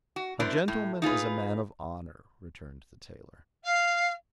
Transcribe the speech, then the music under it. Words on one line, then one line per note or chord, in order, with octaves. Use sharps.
"A gentleman is a man of honour," returned the tailor.
F#4
F#2 B3 D4 E4 A#4 C5
A2
D#4 F4 G#4 B4
F5